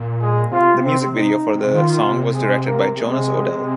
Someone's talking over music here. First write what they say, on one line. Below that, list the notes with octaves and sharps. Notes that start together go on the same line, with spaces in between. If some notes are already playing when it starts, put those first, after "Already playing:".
The music video for the song was directed by Jonas Odell.
Already playing: A#2
G#3 G#4
C3 F4
C4
C3 D#4
C3
D#3 F4
C3
G#3 G#4
A#3 A#4
C3 G#3 G#4